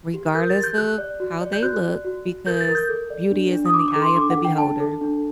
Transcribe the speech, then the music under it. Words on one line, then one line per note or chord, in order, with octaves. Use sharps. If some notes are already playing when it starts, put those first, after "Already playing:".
Regardless of how they look because beauty is in the eye of the beholder,
G4
A#4 G6
A6
G4
G6
G4 F#6
D5
F#4
D5
G6
F#4 F#6
D5
F#4
F#4
A#4 G6
A6
A#4
G6
A4
D5
D4
D4
D#6
D4 D6
D6
A4
C6
D4 D6
F#5
A4
G5
D4 A5
A4
D4